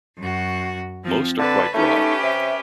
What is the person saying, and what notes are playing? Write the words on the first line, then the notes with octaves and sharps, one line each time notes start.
Most are quite broad.
F#2 F#4
F3 C4
D3 B4 A5
A3 C#4 D#4 G4 B4
C3 E5